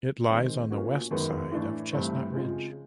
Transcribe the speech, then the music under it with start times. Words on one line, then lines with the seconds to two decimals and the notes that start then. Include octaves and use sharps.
It lies on the west side of Chestnut Ridge.
0.30 D#3 G#3 C4
0.70 A2 F3 A#3 C#4 F#4
1.11 F#2 D#3 G#3 B3
1.52 A2 E3 A3 D4
1.92 G2 E3 A3 C4
2.32 C#3 F3 G#3 C4